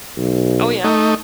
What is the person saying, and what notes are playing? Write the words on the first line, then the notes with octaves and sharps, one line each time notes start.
Oh yeah,
B1
A3 D#4